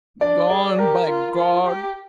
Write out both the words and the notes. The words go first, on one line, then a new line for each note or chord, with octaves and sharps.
"Gone by God."
D4 D5
G#4 D5
G4 A#4
F4
F4
G4